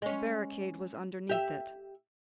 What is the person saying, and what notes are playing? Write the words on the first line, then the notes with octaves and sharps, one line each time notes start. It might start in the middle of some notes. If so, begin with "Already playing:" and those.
The barricade was underneath it.
G#3 C#4
G4 E5